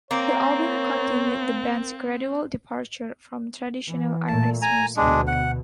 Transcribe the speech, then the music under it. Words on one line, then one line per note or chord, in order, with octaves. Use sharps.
The album continued the band's gradual departure from traditional Irish music.
A#3 C4 C#5
E3
A#2 A3 A5
G#5 A#5
D2 B2 G#3 D4
F#5